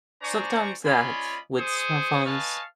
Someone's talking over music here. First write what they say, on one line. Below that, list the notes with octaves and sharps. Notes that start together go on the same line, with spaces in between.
sometimes that with smartphones
D4 C5 D5 G#5 A#5 C#6
C#4 F4 D5 D#5 G#5 B5
G#4 C5 C#6 D#6
B4 D#5 F5 G#5 A5 C#6